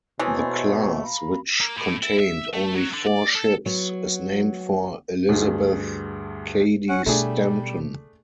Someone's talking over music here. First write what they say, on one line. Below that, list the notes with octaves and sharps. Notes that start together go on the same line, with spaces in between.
The class, which contained only four ships, is named for Elizabeth Cady Stanton.
B2 E3 G#3 A3 C5 C#5 A5
F5 A#5 B5
A#3
A2
E4
E5
A3
F#3
D3
D5
A4
F#3 B3
D2 G2 G#4
C#4 F#5
B2 G3 A3 D4 G#4